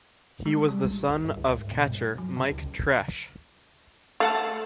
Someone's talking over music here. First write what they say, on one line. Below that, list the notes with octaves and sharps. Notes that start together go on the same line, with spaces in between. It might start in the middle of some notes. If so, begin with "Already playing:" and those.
He was the son of catcher Mike Tresh.
G#3
G3
A1
D#2
G2
D2
G#2
B2
G2
F#3
C#3
D2
A3 F5 F#5 A5